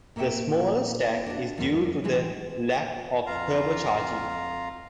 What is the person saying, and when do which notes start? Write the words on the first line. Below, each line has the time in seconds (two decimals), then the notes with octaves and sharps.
The smaller stack is due to the lack of turbocharging.
0.16 A#2 A#3 C#4 E5 F#5 G5
1.26 D4 F#4
1.58 E2 G2 G3 A#3 F4 F#5
2.04 A2 E3 G#3 G#4 B4 G5
3.26 F2 F4 F5 A#5